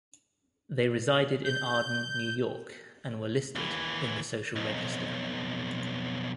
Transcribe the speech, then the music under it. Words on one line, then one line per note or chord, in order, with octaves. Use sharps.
They resided in Arden, New York and were listed in the Social Register.
G6
D#2 E3
B1 F2